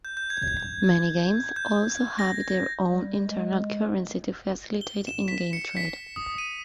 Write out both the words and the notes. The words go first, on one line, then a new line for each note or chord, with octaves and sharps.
Many games also have their own internal currency to facilitate in-game trade.
G6
G6
G#6
G#6
G6
A#6
G3
G#3
G7
E7
B6
C#7
B6
D#6
D#7